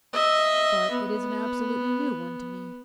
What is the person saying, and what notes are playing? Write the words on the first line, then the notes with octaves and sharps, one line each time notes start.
'But it is an absolutely new one to me.
D#5 E5
B3